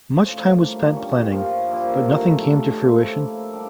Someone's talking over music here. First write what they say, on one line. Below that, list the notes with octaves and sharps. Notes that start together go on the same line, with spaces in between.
Much time was spent planning, but nothing came to fruition.
A2 F3 C#4
D3 G3 A#3 D4
A#2 G3 C#4
G2 F3 C#4 F4
A#2 F3 A#3 E4
G2 D3 A3
E3 A3 C#4 F4
F3 A3 E4
F3 A#3 E4
D3 G3 D4